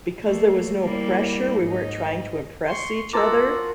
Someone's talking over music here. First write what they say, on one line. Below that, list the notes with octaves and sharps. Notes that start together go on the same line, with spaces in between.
because there was no pressure, we weren't trying to impress each other,
A3 A#3
G3 A#3 E4
G#2 D#4
C6 C#6
F4 F#4 A#4 A5 A#5 D6 E6